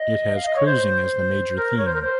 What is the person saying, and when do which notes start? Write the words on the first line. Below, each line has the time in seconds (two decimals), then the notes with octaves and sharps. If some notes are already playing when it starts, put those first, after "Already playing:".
It has cruising as the major theme.
Already playing: D#5
0.35 F5
0.45 D#5
0.56 C#5
0.66 C5
1.57 A#4
1.77 C#5
1.85 C5
1.94 A#4
2.02 C5